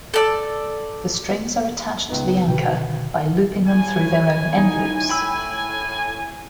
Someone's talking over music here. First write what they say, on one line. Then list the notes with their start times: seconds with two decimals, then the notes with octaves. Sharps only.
The strings are attached to the anchor by looping them through their own end-loops.
0.14 A4 D5
2.08 C#2 B3 D#4
2.48 B2 D3 D#3 F#4 B4 G5
3.67 A2 G#5
4.58 D#4
5.09 G5 B5 E6